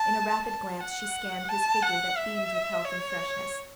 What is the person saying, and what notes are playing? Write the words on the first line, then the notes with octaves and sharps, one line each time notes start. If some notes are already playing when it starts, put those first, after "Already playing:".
In a rapid glance she scanned his figure that beamed with health and freshness.
Already playing: A5
A5
F#5
A5
F#5
E5
C#5